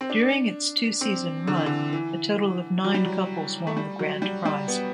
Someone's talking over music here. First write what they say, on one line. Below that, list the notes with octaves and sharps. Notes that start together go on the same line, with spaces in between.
During its two-season run, a total of nine couples won the grand prize.
C4
D4
C4
D3
E3
D3
E3
F#3
G3
F#3
A3
G3
F#3
G3
G3
B3